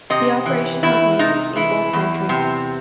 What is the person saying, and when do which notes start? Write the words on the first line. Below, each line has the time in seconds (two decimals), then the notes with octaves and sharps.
The operation was named "Able Sentry".
0.10 C3 D#5
0.46 E3
0.83 E2 E4
1.19 C3 D#4
1.56 E3 E4
1.93 E2
2.29 C3